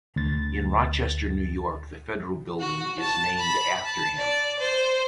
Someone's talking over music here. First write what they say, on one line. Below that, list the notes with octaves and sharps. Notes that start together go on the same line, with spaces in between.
In Rochester, New York the federal building is named after him.
D2 A6
F#4
A5
B5
A5
D5
C5